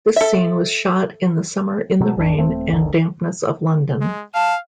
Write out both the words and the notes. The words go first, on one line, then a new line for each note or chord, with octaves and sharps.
This scene was shot in the summer in the rain and dampness of London.
A4 E5
B2 F#3 G3 A3
G#1 E2 D#3 D4
D#1 A3 C4
G1 D2 D3 D#3
G#3
F5 A5